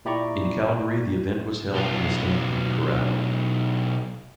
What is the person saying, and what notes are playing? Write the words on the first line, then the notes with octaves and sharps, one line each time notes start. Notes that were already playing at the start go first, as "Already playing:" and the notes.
In Calgary the event was held in the Stampede Corral.
A#2 E4 G4 D5 A#5 C#6
B1 F4